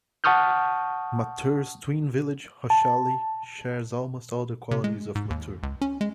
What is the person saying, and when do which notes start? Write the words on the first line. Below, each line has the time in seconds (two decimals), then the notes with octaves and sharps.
Mattur's twin village, Hosahalli, shares almost all the qualities of Mattur.
0.24 F#5 A5 C#6 D#6 F6 G6
2.70 A5
4.71 C3
4.84 G#3
5.15 G#2
5.30 D#2
5.63 C#2
5.81 C#4
6.01 G#3